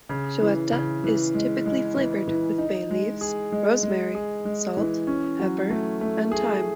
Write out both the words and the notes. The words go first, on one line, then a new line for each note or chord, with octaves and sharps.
Goetta is typically flavored with bay leaves, rosemary, salt, pepper, and thyme.
C#3
E3
C#3
E3
G#3
G#3
E3
E3
D#4
G#3
G#4
G#3
G#3
G#4
G#3
E3
C#4
F#3
A3
A3
G#4